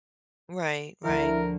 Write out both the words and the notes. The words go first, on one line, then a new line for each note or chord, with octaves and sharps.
Right, right.
D2 F3 E4 A#4